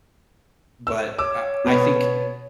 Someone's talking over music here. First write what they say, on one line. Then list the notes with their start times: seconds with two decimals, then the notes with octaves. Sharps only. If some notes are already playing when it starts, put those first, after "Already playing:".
but, I I think,
0.87 E6
1.18 C#5 D6 E6
1.64 B2 B3